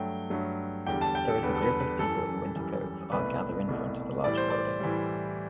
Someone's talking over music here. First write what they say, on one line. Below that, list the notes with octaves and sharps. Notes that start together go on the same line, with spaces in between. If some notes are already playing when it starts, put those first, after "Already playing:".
There is a group of people in winter coats are gather in front of a large building.
Already playing: G2 F#3 A3 G5
G2 F#3 A3
E2 D3 G3 G5
A5
G5
A4
E2 D3 G3 B4
A4
B4
B4
F#2 E3 G3 A4
F#2 E3 G3
C2 B2 A3 B4
C2 B2 A3
A2 E3 G3 D5
C5
D5
A2 E3 G3